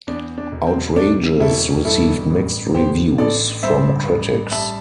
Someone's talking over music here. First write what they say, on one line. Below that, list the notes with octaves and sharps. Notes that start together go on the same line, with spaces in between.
"Outrageous" received mixed reviews from critics.
E2 D4
D4
E1
C4
C3 D4
E1 E4 A4
G2 E4 A4
A1
D3 G4 C5
A1 A4 D5
G2 C5 E5
A1
G3 E5 A5